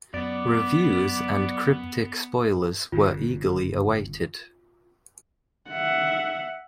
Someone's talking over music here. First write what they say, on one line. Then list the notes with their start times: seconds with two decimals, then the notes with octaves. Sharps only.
Reviews and cryptic spoilers were eagerly awaited.
0.14 F#2 B3 D5
2.92 G1 G2 C#3 F4
5.70 E5 F#5